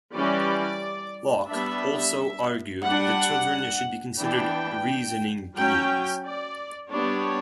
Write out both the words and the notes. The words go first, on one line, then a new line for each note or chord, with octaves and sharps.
Locke also argued that children should be considered "reasoning beings".
E3 G3 C#4 D5
G3 B3 D4 E5
G3 D4 F#5
E3 B3 D4 G5
F#3 C#4 G5
D5
G3 B3 D4 C#5